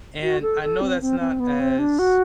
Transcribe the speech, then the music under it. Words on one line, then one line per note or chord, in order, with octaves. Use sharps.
And I know that's not as
F#4
A4
A4
C4
C4
C4
B3
C4
D4
F#4